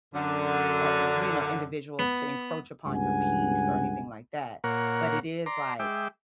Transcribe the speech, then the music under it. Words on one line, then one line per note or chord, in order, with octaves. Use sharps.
or you know, individuals to encroach upon your peace, or anything like that, but it is, like,
F#2 D3
B3
C#2 G2 F#5 G#5
A#2 A#3 A#4 C#5 F#5
D5 A#5 C6
G#3 E5 G5 D6